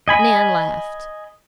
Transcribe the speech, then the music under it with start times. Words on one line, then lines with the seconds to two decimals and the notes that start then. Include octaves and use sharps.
Nan laughed.
0.08 D#5 G#5 B5